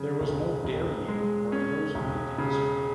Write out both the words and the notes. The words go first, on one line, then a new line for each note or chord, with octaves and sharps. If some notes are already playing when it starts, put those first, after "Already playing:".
There was no dairying or frozen meat industry.
Already playing: F#2 C#3
E1
E1
G#3
C#4
E1
C#3